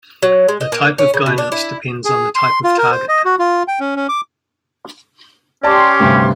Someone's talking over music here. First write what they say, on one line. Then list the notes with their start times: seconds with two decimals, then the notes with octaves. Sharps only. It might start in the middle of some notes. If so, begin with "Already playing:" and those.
The type of guidance depends on the type of target.
0.23 F#3
0.48 G#3
0.61 D#5
0.72 A#3
0.98 C#4
1.14 C#3
1.26 B2
1.38 D4
1.52 E4
2.05 G#4
2.35 C6
2.64 F4
2.78 A#4
2.91 C5
3.09 D#5
3.25 F#4
3.39 F4
3.68 G5
3.80 C#4
3.96 C#4
4.09 D6
5.63 C#4 G4 D5 A5 C6 D6
6.00 D2 G2 C3